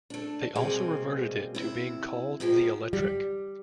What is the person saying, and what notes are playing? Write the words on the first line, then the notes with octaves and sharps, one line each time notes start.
They also reverted it to being called the Electric.
A3 D4
B2 G3 G#3 A#3 C4 G#4
C3 E4
A#2 D#3 F3 G#3
G3